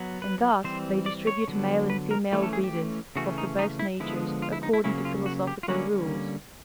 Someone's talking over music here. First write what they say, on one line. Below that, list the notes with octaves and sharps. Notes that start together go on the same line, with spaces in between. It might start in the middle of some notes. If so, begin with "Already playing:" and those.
And thus they distribute male and female breeders of the best natures according to philosophical rules.
Already playing: F#3 B3
B4
E3 G3 C4 C5
D5
C#5
D3 F#3 B3
B4
A#4
E3 A3 C#4
A4
G#4
G4
C#3 E3 A3 C#4 F#4
D#4
D#4
E4
D3 F3 G#3 B3 E4
F4
E4
D#4
E4
C#3 F#3 A#3 C#4 E4
F4
F#4
G4
F4
D3 G3 A#3 C#4 F#4